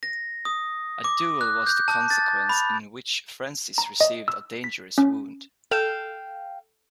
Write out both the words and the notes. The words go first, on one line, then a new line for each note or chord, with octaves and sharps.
A duel was the consequence, in which Francis received a dangerous wound.
A#6
D#6
D6
F#6
G6
A5
A6
B5
A#5
D#5
E6
B6
C#4
A4 F5 G5 E7